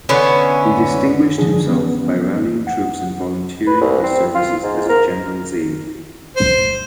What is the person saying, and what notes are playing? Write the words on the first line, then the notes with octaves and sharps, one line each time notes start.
He distinguished himself by rallying troops and volunteering his services as a general's aide.
D3 E3 B3 C#4
D3 F3 D4 G#4
E3 B3 C#4
F#5
B4
C2
C4
F4
G#2
A#4
C5